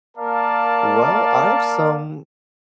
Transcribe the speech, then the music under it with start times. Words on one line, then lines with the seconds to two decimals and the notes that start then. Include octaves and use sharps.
Well, I have some
0.17 A#3 A#4 D5 F5 A5